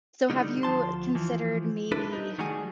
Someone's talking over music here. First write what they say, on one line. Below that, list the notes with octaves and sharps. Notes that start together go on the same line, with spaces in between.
so, have you considered, maybe,
D3 G3 D#4
D2 F3 A5 C6
E3 F3
D4 E4 A4 B4
D#4
D#3 F#3 G3 A3 F#4 G#4